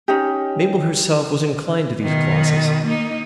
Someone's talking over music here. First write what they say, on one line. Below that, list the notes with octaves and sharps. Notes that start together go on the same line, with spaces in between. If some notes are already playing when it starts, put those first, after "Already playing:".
Mabel herself was inclined to these clauses.
C#4 D#4 G4
B2 D#3
A#3 D#4